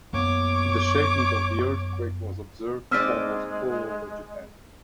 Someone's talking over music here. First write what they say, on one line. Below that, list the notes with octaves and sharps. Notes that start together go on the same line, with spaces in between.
The shaking of the earthquake was observed almost all over Japan.
F#2 A#3 B3 C#5 D6
G#3 A#3 C4 D#4 D5 E6 F6 B6